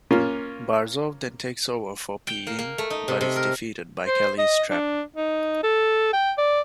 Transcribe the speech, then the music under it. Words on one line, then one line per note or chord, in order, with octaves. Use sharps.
Barzov then takes over for Pi Ying, but is defeated by Kelly's trap.
A#3 C#4 F4
G5
A#3
A#3
A3
D#4
C3
C3
A#4
C5
D#5
D4
D#4
A4
G5
D5